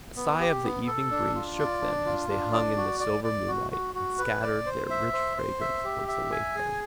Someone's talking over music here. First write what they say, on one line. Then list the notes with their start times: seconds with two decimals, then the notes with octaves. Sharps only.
A sigh of the evening breeze shook them as they hung in the silver moonlight, and scattered their rich fragrance towards the wayfarer.
0.16 B3
0.39 G4
0.63 B3
0.87 A4
1.11 D4
1.35 F4
1.58 D5
1.82 D4
2.06 F4
2.29 D4
2.53 D5
2.77 F#4
3.00 D5
3.24 D5
3.48 F#4
3.71 F#4
3.95 F#4
4.19 B4
4.42 D5
4.66 C5
4.90 E5
5.13 C5
5.37 C5
5.61 E5
5.84 G4
6.08 E5
6.32 G#5
6.55 G#4